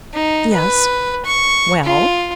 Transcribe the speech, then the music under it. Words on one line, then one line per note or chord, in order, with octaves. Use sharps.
"Yes." "Well?"
D#4
B4
C#6
F4